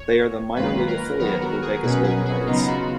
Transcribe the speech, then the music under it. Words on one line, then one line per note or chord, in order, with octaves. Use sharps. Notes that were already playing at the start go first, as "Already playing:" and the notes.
They are the minor league affiliate of the Vegas Golden Knights.
Already playing: C#5
G#2 D#3 F#3 A#3 F4 B4
A#4
D#3 F#3 B3 A#4
F#4
G#4
B2 F#3 C#4 B4
G#4
F#4
C#3 F#3 B3 D#4 F4
F#4